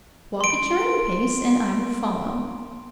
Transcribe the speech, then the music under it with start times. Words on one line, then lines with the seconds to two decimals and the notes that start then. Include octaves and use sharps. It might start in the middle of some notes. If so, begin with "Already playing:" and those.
Walk at your own pace, and I will follow.
0.41 C6 D7